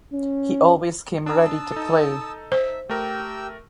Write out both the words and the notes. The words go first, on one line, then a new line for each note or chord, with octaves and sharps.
He always came ready to play.
C#4
D4 A5 A#5 D#6 E6
D#4 A4
C5 E5
A3 G4 A#4 G5 E6